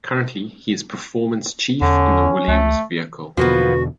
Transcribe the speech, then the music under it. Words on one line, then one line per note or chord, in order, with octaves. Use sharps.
Currently, he is performance chief in the Williams vehicle.
E2 D3 C#4
C#2 A3
E2 B2 D3 F3 A#3 B3 F#4 B4